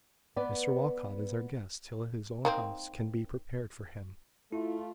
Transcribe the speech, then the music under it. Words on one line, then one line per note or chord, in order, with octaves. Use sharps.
Mr Walcot is our guest till his own house can be prepared for him.
B3 B4 D5
D#3 A#3 C4
A3 E4 F4